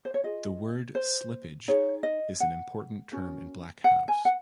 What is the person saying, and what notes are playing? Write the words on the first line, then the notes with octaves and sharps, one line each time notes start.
The word 'slippage' is an important term in Black House.
C5
C#5
F4 G#4 D#5
C5
D#4 G#4 C#5
D#5
F#5
C#4 F#4 A#4
F#5
G#5
F#5